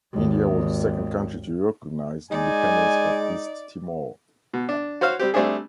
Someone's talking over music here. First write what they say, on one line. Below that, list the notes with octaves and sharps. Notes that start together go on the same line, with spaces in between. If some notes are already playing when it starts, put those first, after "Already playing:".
India was the second country to recognize the independence of East Timor.
G#1 D#2
G#3 D#4 D5 G#5
B2
D4
F#4 C5 C#5 F5
G3 C4 G4
G3 A3 C4 D4 G#4